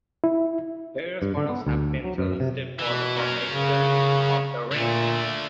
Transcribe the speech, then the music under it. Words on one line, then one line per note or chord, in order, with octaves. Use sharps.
Various models have been suggested for the formation of the ring.
E4
G2
D3
B3
D2
F#3
F#2
C3
B2 E3
C#4 A#4
C#3
A#2 D3 A3